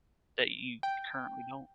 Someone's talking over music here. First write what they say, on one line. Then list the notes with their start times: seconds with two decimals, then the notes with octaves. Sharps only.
that you currently don't.
0.83 G5